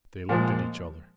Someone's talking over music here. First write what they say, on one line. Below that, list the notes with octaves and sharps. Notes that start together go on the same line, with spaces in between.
They looked at each other.
A#2 F3 G#3